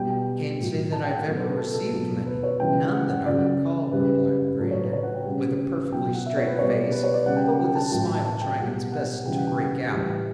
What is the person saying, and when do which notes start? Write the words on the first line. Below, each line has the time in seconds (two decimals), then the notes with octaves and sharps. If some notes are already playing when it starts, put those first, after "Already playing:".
"I can't say that I have ever received many--none that I recall," replied Brandon, with a perfectly straight face, but with a smile trying its best to break out.
Already playing: B2 G3 G5
0.10 G5
0.59 A2 F#3
0.92 A5
1.04 G5
1.15 F#5
1.26 B2 F#3 A4
1.37 B4
1.48 B4
1.57 A4
1.74 A4
1.93 B2 F#3
2.26 B4
2.43 C#5
2.59 C#3 E3 G3 G5
2.93 F#5
3.10 F#5
3.26 C#3 F#3 D5
3.92 C#3 G3 B4
4.59 A2 F#3 A4
4.71 C#5
4.81 B4
4.93 C#5
5.03 F#5
5.14 G5
5.25 C#3 G3
5.92 B2 F#3 G5
6.14 F#5
6.26 E5
6.37 C#5
6.47 B4
6.59 B2 G3 C#5
6.70 D5
6.92 B4
7.04 C#5
7.14 D5
7.26 C#3 G3 F#5
7.37 G5
7.60 G5
7.75 A5
7.92 A2 F#3 G5
8.03 G5
8.14 A5
8.26 A5
8.42 G5
8.59 B2 G3 F#5
8.92 F#5
9.25 C#3 E3 G3 G5
9.37 F#5
9.47 G5
9.92 A2 E3 G3